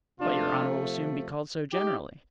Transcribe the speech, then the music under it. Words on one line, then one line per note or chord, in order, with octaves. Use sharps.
"But your honor will soon be called so generally."
C3 F3 A3 D4 F4
D#4 G4